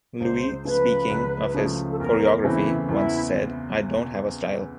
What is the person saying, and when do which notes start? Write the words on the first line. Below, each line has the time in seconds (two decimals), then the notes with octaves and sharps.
Louis speaking of his choreography once said, I don't have a style.
0.20 C#2 C5
0.65 C#3 F3 A3 B4
1.10 C#2
1.55 C#3 F3 A3
1.91 A4
1.99 E2 A#4
2.44 C#3 E3 A3 C4 E4
2.89 E2 E4